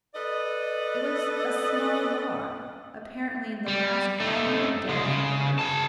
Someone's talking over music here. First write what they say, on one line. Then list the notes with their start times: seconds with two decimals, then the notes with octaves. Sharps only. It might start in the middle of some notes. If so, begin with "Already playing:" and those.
It was a small dog, apparently in the last agony of death from thirst.
0.15 A4 B4 D5 D#5
3.68 G3
4.20 A3 D#4
4.89 C2 G#3
5.04 C#3
5.59 G#4 A5